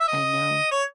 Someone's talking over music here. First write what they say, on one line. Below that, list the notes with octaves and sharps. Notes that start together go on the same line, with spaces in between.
I know.
E5
D#5
C#5